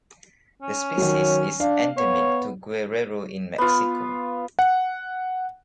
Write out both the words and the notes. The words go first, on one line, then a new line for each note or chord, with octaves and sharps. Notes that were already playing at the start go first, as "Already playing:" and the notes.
The species is endemic to Guerrero in Mexico.
C#4
D#3 F#3 C#5
D4 F5
B3 C#5
B3 F4
F#5